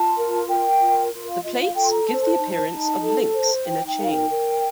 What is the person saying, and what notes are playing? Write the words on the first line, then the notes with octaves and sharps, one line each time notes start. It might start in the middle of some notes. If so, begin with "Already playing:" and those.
The plates give the appearance of links in a chain.
Already playing: F4 A5
A#4
A#4 G5
F4
F4
F5
F4 D#5
F5
A4 G5
C6
A#5
C5 A5
A5
D#4
D#4
A4
C5
D#4 G5
G5
A#4 F5
G5
A#4